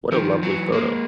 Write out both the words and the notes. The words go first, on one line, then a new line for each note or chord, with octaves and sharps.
What a lovely photo.
D#3 F3
E3 F#3
G#3 A#3